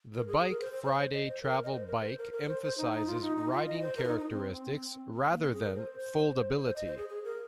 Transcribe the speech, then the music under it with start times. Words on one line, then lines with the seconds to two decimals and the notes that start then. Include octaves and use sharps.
The Bike Friday travel bike emphasizes riding characteristics rather than foldability.
0.16 A#4
0.27 G#4
0.39 G#4
0.50 A#4
0.61 C5
0.73 C5
0.83 C5
0.98 C5
1.13 D#5
1.28 C5
1.43 A#4
1.64 D#5
1.72 C5
1.87 A#4
2.02 C5
2.18 A#4
2.33 A#4
2.48 C5
2.62 C5
2.78 D#4
2.92 D#4
3.07 F4
3.22 D#4
3.37 D#4
3.52 F4
3.66 D#5
3.81 C5
3.97 A#4
4.04 F4
4.07 D#4
4.19 D#4
4.30 C4
5.30 A#3
5.42 C4
5.53 G#4
5.63 A#4
5.75 C5
6.64 C5
6.76 D#5
6.87 C5
6.98 G#4
7.09 G#4
7.24 A#4